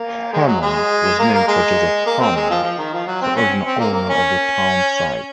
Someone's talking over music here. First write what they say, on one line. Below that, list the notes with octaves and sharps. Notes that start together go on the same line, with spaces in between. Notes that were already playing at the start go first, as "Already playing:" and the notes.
Hammond was named for Joseph Hammond, the original owner of the town site.
Already playing: A#3
G#3
F#3
G#3
A#3
A#3
G#3
A#3
C4
G#3
F3
F3
D#3
F3
F#3
C4
C#4
C4
A#3
A#3
C#4